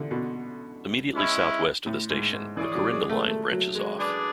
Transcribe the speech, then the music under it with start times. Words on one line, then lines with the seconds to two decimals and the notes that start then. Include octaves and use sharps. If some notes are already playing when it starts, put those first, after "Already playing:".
Immediately south-west of the station, the Corinda line branches off.
Already playing: D3 E3
0.11 B2
1.16 G#3 C#4 E4
1.86 A2
2.10 G#2
2.33 G#2
2.57 E3 C#4 G#4 D5
2.75 F#3
2.92 G#3
3.09 A3
3.28 A3
3.51 F#3
3.75 G#3
3.98 D4 G#4 B4 D5